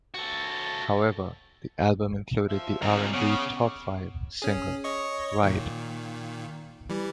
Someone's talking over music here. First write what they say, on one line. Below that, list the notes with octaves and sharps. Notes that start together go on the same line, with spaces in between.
However, the album included the R and B top-five single "Ride".
F#4 A4
F3 E5
C2 A#2 D#4 A#4
C#3 B3 C#5 D6
C#4 G#4
C#5 D#5 C#6
A#2 D#3
E3 G3